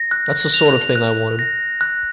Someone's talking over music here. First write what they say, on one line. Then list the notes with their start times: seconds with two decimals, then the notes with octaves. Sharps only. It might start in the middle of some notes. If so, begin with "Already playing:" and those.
That's the sort of thing I wanted.
Already playing: A#6
0.11 F#6
0.54 F7
0.96 F#6
1.39 A#6
1.81 F#6